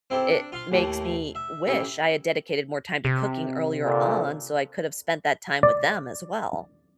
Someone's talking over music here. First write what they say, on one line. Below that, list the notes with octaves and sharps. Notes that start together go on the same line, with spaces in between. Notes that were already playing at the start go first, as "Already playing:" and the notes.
it makes me wish I had dedicated more time to cooking earlier on, so I could have spent that time with them as well.
C4 E4 G4 A4
D4
F4 F5 C6
D#2 A2 A3 A#3
E5
A1 E4 G4
C3
A#2 D3
D5